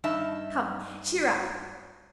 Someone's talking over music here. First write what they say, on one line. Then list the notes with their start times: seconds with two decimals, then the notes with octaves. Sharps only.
Come, cheer up.
0.04 G2 D#4 E5 A5